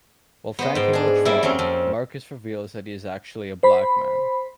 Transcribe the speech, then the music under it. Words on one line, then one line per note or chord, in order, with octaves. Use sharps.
While thanking Latrell, Marcus reveals that he is actually a black man.
B3 C5 D#5
G#2 G5
D4 G#4
G3 A#3 E4
F2 F#3 C4 C#4
F2
C5 B5